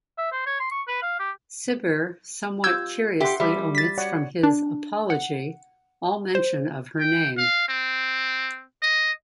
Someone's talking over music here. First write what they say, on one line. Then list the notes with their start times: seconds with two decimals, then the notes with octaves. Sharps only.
Cibber somewhat curiously omits from his "Apology" all mention of her name.
0.18 E5
0.32 C5
0.46 C#5
0.60 C6
0.72 C#6
0.88 B4
1.02 F5
1.19 G4
2.64 F4 G4 D6 E6 G6 G#6
3.20 G4 E5 F#5 C6
3.40 G3 G#4 E5
3.75 A6 B6
3.98 C#5 D5 F#5
4.43 D4
5.10 F#5
6.35 C5
7.00 G5
7.38 F5
7.69 C4
8.82 D#5